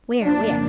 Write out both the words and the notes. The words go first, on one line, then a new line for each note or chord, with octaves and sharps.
Where, where?
F2 C#3 F3 A#3 D4